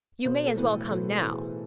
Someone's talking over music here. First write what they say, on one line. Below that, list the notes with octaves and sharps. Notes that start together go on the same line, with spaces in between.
You may as well come now.
B1 C5
A4
A2 E3 B4
B1 A4
A4
A2 E3
G#4